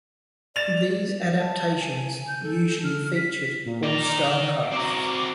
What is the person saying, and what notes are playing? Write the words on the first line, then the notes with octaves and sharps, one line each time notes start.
These adaptations usually featured all-star casts.
D5 A6 E7 F7
A5
G#5
G6
A4
F6
B6
A#2
D#3 D5 A#5
C4 F#4 A#5 D6